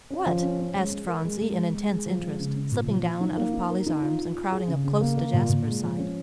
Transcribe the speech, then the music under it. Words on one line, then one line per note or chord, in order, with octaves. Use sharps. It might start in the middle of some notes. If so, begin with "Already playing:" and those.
"What?" asked Phronsie in intense interest slipping down out of Polly's arms, and crowding up close to Jasper's side.
C#4
F3
C#4
C#4
G#3
G#3
A#4
G#3
G#3
G#3
G#3
G#4
F3
G#3
C#3
C#3
A#2
F3
F3
D#4
A#3
D#4
A#4
D#4
F4
F4
F4
G#4
C#3
C#3
A#3
A#3
A#2
A#2
G#3
F3
C#4